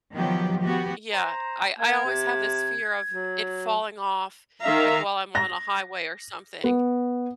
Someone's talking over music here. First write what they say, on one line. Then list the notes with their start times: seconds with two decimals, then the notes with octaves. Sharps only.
Yeah, I I always have this fear of it falling off, like, while I'm on a highway or something,
0.13 D#3 F3 F#3 B3 G4
0.64 B3 F#4 G4
1.12 C5 A#5
1.79 A#3 G#6
2.05 C3
3.11 F#3
4.64 D#3 E5 F5 A#5
5.35 A#6
6.64 B3